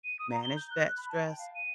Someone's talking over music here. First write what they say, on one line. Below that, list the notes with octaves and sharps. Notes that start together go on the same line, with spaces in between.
manage that stress,
D#7
D#6
A#5
G7
G6
F#6
F#6
B5
A5
G5
F5
D#7